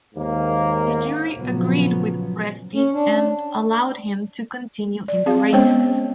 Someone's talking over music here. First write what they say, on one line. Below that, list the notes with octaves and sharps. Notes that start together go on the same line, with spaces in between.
The jury agreed with Urresti and allowed him to continue in the race.
D#2 G#2 A#3
A#2 C#3 F3 F#3 B3
C#4
D4
D5
C4 G#4 F5
G#3 B3 C#4 C5 C#5 G5